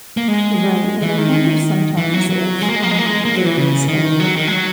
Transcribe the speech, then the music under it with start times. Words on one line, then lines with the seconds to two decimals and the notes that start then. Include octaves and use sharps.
Right, and I wonder sometimes if, um, there's a
0.17 A#3
0.28 G#3
1.02 E3
1.18 D#3
1.98 E3
2.14 F#3
2.30 F#3
2.62 G#3
2.69 A#3
2.76 G#3
2.83 A#3
2.91 G#3
2.98 A#3
3.06 G#3
3.25 A#3
3.35 F#3
3.46 E3
3.57 C#3
3.88 D#3
4.20 F#3
4.36 D#3
4.47 G#3
4.52 F#3